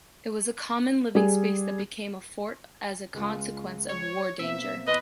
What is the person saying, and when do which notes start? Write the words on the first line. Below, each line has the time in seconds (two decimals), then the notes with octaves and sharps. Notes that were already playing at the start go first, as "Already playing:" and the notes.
It was a common living space that became a fort as a consequence of war danger.
1.15 G3 G#4
3.14 C#2 G#3 F4
3.89 C#5
4.39 B2 A#3 C4 E5
4.87 E2 B4 D#5 C6 F#6